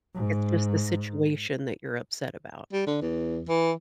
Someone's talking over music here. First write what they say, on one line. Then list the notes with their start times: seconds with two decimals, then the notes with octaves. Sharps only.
It's just the situation that you're upset about.
0.14 G#2
2.73 G3
2.87 D3
3.02 E2
3.48 E3